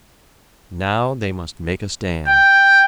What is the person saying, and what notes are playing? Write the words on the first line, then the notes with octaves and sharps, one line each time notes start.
Now they must make a stand.
G5